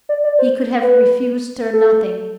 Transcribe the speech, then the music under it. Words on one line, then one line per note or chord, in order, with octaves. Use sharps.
He could have refused her nothing.
D5
D5
C5
B4
A4